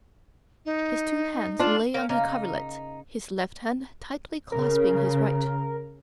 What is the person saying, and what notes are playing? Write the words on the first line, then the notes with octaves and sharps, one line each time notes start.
His two hands lay on the coverlet, his left hand tightly clasping his right.
D#4
D4 F4
A#3 C#4
C#3 A#3 D#4
C#3 A#4